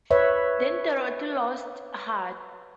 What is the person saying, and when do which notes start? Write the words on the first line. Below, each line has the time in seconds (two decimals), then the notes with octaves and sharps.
Then Dorothy lost heart.
0.11 B4 C#5 E5